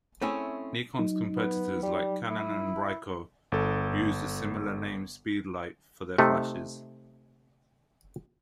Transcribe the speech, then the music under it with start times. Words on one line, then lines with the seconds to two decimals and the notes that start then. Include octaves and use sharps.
Nikon's competitors like Canon and Ricoh use the similar name Speedlite for their flashes.
0.21 A3 C4 C#4 E4 G#4
0.99 F#3 D#4
1.36 B3
1.83 G3
2.30 E4
3.52 G1 A4
6.18 C3 A3 D#4